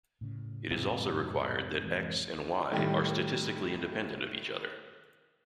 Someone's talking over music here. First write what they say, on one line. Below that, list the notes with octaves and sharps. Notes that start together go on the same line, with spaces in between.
It is also required that "X" and "Y" are statistically independent of each other.
A2 C#3
F2 G#2 C3
E3 G#3
A2 D#3 G3